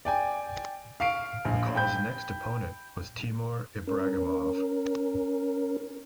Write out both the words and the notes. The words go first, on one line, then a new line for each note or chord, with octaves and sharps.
McCall's next opponent was Timur Ibragimov.
D5 G5 G#5
F5 C#6 C7 D7
A#1
G5 B5 G6
C#4 A#4